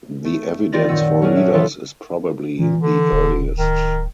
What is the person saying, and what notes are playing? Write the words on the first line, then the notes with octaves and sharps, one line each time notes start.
The evidence for readers is probably the earliest.
A3
E3 C4 D#4 F4 D5 A#6
F#2 A#2 D#3 F#5 E6
F#3 C#4 D4 G#4 A#4
E5
E3 F3 F4 A4
A#2 E3
D3
D#1
D1 D#3